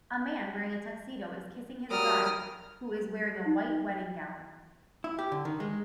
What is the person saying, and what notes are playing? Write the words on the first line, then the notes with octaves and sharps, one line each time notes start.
A man wearing a tuxedo is kissing his bride, who is wearing a white wedding gown.
F#3 G3 A#4 D#6 F6
D#4
E4
G4
D3
D#3
G#3